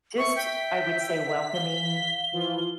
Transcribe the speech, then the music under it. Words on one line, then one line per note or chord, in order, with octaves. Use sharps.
just, I would say, welcoming,
E5 C#6
G5 B6
F5 G7
E3 F3 F4